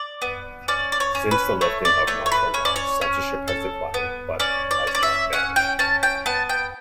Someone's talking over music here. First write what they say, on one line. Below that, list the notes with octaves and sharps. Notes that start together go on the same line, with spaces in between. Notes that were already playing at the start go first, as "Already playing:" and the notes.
Since the lifting of martial law, censorship has declined but has not vanished.
Already playing: D5
B3
C#4 D5
D5
C#5
C#4
B4
A3 C#5
D5
A3 C#5
C#5
B4
C#4 C#5
D5
C#5
C#4
A4
B3
C#4 D5
D5
C#4
D5
E5
C#4 F#5
G5
C#4 A5
G5
B3 A5
G5